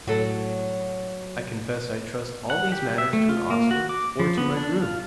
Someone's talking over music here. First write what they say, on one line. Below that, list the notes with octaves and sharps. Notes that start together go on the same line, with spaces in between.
"I confess I trust all these matters to an ostler, or to my groom."
A2 F#3 F#4 A4
F#5
G4
E5
A3
F4
A#3
F#4
D6
F3
B3
D4
F4